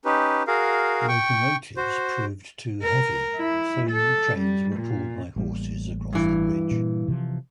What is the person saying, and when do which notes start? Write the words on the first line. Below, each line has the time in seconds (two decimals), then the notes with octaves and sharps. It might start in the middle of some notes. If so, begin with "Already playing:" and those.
Locomotives proved too heavy, so trains were pulled by horses across the bridge.
0.05 C#4 D#4 G4 B4
0.47 F#4 G#4 A#4 F5
1.08 G5 C#6
1.77 F#4 C5
2.83 A#4
3.37 E4
3.91 A4
4.38 G3
4.76 A#2
5.36 A1 G3 A#3
6.13 G2 E3
6.71 A#2
7.08 C3 E3 F3